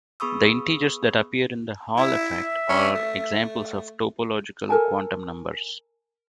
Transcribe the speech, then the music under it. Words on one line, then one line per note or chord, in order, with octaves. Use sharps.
The integers that appear in the Hall effect are examples of topological quantum numbers.
B3 G#4 B5 C#6 D#6 E6
E4 E5
C#4
A3
A4 A#4 G#5 A5